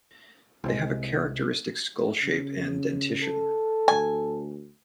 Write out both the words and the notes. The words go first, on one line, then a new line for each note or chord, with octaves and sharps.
They have a characteristic skull shape and dentition.
C2 C3 G#3
C#3
A4
D2 G#5